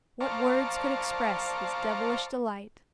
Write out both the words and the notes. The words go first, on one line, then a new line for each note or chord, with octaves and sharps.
What words could express his devilish delight!
C5 D5 F5 A5 A#5 C#6